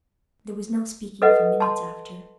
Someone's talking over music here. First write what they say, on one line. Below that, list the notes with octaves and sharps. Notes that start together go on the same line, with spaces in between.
There was no speaking for minutes after.
A4 B4 D#5 F#5
A5 C6